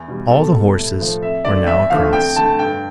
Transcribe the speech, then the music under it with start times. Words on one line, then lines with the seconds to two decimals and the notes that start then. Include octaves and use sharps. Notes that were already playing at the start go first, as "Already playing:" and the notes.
All the horses were now across.
Already playing: E2
0.08 B2 G3
0.30 B2 A4
0.54 G3
0.76 A2
0.99 F3 A3
1.22 F2 E5
1.45 D3 A3 D5
1.67 E2 E5
1.90 D3 F3 A3 F5
2.13 F2 G5
2.36 D3 A3 A5
2.59 G2 G5